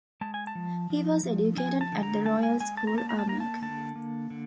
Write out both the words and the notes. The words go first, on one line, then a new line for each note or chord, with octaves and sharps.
He was educated at The Royal School, Armagh.
G#3 A5
G#5
A5
F3
F3
F3
F3 G#5
A5
D3
A#5
G#3 A5
G#5
G#3 G#5
A5
A#5
A#3 A5
A#5
A5
A#3 A#5
A5
D3 A5
A#3
D3